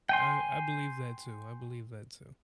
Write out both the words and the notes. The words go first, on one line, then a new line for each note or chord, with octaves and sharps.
I I believe that too. I believe that too.
G5 G#5 C6